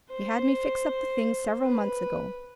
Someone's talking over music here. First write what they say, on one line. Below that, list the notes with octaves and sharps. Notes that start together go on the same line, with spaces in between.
She had me fix up the things several months ago.
C5
B4